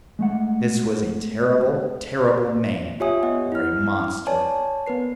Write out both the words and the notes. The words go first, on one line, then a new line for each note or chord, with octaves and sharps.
This was a terrible, terrible man or a monster.
G#3 A3 F#5
F4 G4 C#5 E5 G#5 D#6
B3 D#5 F#5
E4 F6
B4 C#5 D5 G#5 A5
B3 A#4 B4 C7